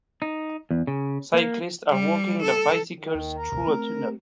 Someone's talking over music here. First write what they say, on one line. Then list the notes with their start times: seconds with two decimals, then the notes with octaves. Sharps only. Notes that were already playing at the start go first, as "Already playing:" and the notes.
Cyclists are walking their bicycles through a tunnel.
0.22 D#4
0.71 E2
0.87 C#3
1.34 A#3
1.90 G3
2.43 A4
2.99 D#3
3.15 D#2
3.36 A#4
3.52 A1 D2 C3
3.67 A3 C4